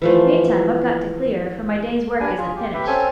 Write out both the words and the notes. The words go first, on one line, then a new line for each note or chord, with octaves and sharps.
Meantime, I've got to clear, for my day's work isn't finished.
E3 F3 A3
G3 D4 B4 G#5
F4 G#4
G4
G4 B4 E5
C4 C#4 A4 G#5